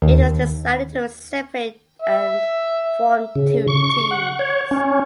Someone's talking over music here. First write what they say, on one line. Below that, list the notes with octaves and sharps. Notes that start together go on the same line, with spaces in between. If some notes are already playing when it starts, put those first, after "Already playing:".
It was decided to separate and form two teams.
D#2
E5
C#3
C#6
F#5
C#5
C#4